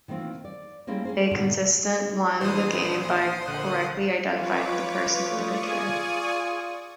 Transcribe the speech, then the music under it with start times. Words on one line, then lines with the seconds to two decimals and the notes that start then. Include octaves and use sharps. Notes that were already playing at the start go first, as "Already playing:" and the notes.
A contestant won the game by correctly identifying the person in the picture.
0.08 D#3 E3 A#3 C4 F4
0.45 D5
0.87 G3 A#3 C4 C#4 E4 G#4
1.05 C#4 G#4 C5
1.31 G#2 B2 D3
2.41 A#1 A#2 E3 D4 B4 C5 D#6
3.48 A#1 D3 A#4 F#5 F#6
4.30 F4 B4 C#5 D6
5.28 A3 D5 C#6 D#6
5.67 G#4 G#5